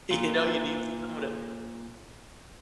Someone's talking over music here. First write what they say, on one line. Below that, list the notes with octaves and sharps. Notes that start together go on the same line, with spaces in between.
You know, you need someone to
A#2 F4